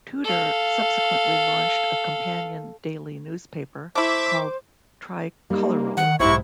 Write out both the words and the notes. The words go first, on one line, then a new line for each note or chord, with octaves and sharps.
Tudor subsequently launched a companion daily newspaper called "Tricolorul".
A4 F5
A3 E4 C5 E5 D6
G3 A#3 D#4
D#3 F#5
B1 G#2 C3 E4 F4 C#6